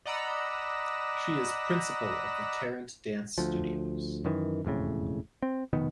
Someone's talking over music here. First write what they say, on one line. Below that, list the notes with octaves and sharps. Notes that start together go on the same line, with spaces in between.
She is principal of the Tarrant Dance Studios.
D5 D#5 F#5 A#5 B5 E6
D2 F3
F#2 D#3 E3
E1 F2 A2 C#3
C4
F1 B2 D#3 B3